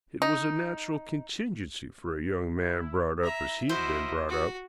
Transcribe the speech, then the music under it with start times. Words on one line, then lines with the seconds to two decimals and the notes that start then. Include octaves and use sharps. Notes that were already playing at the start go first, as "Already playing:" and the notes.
It was a natural contingency for a young man brought up as he had been brought up.
0.22 D#4
2.61 E4
3.24 E4 E5 A#5
3.69 E4 F#4 A#4 C5 D#5 E5
4.29 F#4